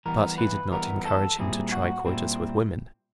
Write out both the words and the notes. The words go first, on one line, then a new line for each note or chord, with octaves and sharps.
But he did not encourage him to try coitus with women.
E3 G3 B3 A#4
B4
E3 G3 B3 A#4
A4
A#2 G3 C4 E4 G#4
F#4
A#2 G3 C4 E4